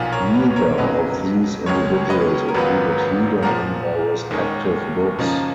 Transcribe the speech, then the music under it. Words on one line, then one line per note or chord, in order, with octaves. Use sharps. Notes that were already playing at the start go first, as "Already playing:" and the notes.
Neither of these individuals included Heda in their respective books.
Already playing: B1 A#2 F3 F5 G#5
A#4 C#5
B4
A#4 C#5
F2 C#3 F#3 A#3 D#4 B4
C#2 C#3 G#3 C#4 A#4 C#5
B4 D#5
A#4
G#1 G#2 F#3 B3 F4 B4
A#4
B4
A#2 F3 A#3 F#5 A#5
D#2 D#3 G#3 C#4
F#2 C#3 F3 A#3 D#4